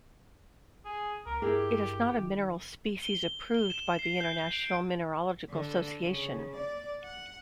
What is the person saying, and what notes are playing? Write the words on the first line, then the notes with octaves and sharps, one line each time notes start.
It is not a mineral species approved by International Mineralogical Association.
G#4
C#2 A#4
G2 E4 G4 G#4 A#4
D#3
G7
G7
E7
C7
G6
D7
D3
C#3
D5
F#5